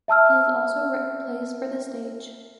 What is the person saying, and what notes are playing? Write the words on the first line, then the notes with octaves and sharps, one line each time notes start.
He has also written plays for the stage.
E5 A5 E6 F6